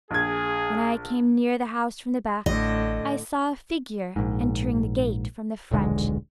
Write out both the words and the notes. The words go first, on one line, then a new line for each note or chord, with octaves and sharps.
When I came near the house from the back, I saw a figure entering the gate from the front.
A#1 G#4 G#6
A1 A2 D3 D#5
A#1 G#2
D#1 B1 D3 G#3